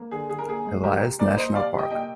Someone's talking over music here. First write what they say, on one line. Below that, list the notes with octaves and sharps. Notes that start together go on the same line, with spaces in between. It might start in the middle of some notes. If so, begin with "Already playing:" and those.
Elias National Park.
Already playing: A#3
D3 G#4
D3 G#4
A#4
A#2 G#4
G#3
C3 G4 A#4
C3
A#2 A#4 D5
A#2 C5 D#5
C3 D5 F5
C3
D#5 G5
A#2 D#5 G5